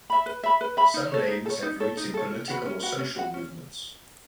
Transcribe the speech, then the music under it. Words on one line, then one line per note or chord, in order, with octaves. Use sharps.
Some names have roots in political or social movements.
E5 B5
B4
E5 B5
B4
E5 B5
D#4
A4 C#5
D#4
A4
C#5
D#4
A4 C#5
D#4
A4 C#5
C#4
F#4 B4 F#5
C#4
F#4 B4 F#5
C#4
F#4 B4 F#5
C#4